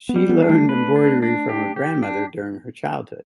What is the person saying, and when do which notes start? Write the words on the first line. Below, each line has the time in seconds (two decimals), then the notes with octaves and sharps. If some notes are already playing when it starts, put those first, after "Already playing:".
She learned embroidery from her grandmother during her childhood.
0.09 B3
0.16 G3
0.29 B3
0.42 D4
0.49 A3
0.69 B4
0.96 D4
1.22 D4
1.49 G4
1.76 G4
2.03 D4